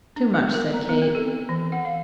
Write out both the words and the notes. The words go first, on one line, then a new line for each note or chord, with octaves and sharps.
"Too much!" said Kate.
D4
B3
A#4
A#5
B3
C4
A4
E3
F#5
F5